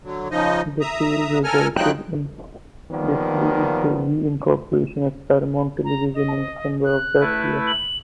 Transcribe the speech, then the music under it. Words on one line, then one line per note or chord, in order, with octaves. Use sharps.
The sale resulted in Desilu's re-incorporation as Paramount Television in December of that year.
D3 F#3
C#3 F3 D#4 D#5
E5 A#5 D#6
A4 A#4 G#5 F6
C#3 F3 F#3 D#4 G5 F#6
D#3 F3 G3 A#3 B3
A#5
D#5
F#6
A3 E4 B4
F#7